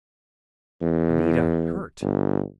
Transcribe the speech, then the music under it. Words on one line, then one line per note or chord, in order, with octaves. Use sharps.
Anita hurt!
E2
G1